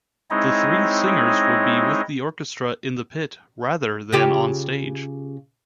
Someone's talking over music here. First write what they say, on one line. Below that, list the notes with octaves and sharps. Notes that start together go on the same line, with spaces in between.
The three singers would be with the orchestra in the pit, rather than onstage.
G#3 C4 D#4 E4 C#5 D#5
C#3 F4 G4